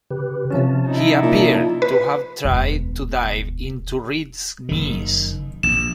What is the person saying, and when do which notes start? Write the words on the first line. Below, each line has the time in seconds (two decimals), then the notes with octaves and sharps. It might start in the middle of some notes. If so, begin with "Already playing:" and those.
He appeared to have tried to dive into Reed's knees.
0.11 C#3 G4 B4
0.51 C3 F3 C#4 A5
0.87 D#4 E4
1.23 A#2
1.82 B4
2.45 E1 D2
4.69 F#1 D#3
5.63 A#1 E7